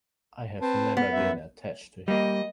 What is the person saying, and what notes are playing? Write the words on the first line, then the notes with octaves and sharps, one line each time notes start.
I have never been attached to him.
C4 B4 A5
B3
F#2 E5
G3 A#3 D#5